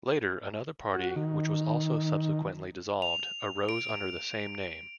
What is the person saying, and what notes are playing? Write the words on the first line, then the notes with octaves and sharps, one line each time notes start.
Later, another party, which was also subsequently dissolved, arose under the same name.
F#4
D#3
F7
D7